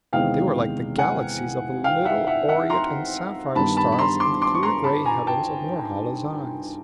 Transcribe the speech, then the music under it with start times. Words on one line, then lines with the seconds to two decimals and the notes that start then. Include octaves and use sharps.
They were like the galaxies of little aureate and sapphire stars in the clear gray heavens of Norhala's eyes.
0.13 E2 C3 D#3 G#3 B3 F5 G5
0.98 F#5 G#5
1.84 F5 G5
2.05 E5 F#5
2.27 E5 F#5
2.48 E5 F#5
2.69 A#5 C6
3.55 G2 D#3 G3 B3 A5 B5
3.77 A5 B5
3.92 B5
3.98 A#5 C6
4.20 C6 D6
4.41 C6 D6
4.54 C#6
4.63 A#5 C6
4.84 A5 B5
5.05 G#5 A#5
5.27 G5 A5